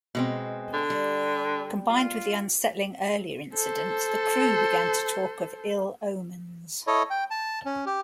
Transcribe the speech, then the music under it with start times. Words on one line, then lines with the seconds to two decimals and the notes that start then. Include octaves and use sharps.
Combined with the unsettling earlier incident, the crew began to talk of ill-omens.
0.15 B2 G#3 C4
0.73 D3
0.90 G3
1.89 F4
3.54 A4 C5
6.87 E4 A4 C#5 D#5
7.10 G5
7.31 A5
7.65 C#4
7.86 G4